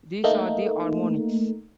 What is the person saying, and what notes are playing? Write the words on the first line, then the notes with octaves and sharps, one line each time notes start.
These are the harmonics.
A3 A#3 D#4